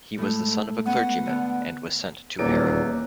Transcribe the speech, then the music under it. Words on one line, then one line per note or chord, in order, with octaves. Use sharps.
He was the son of a clergyman and was sent to Harrow.
A2 G#3 A3
B3 C#4 F#5
D3 B3
D#1 E2 A#3 C#5 D6